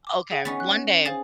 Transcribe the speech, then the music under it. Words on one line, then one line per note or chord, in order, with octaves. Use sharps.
Okay, one day,
D6
G#4 F#5 G5
B3 C#4 D#4 A6
F#6
G#4 C5 F5 A6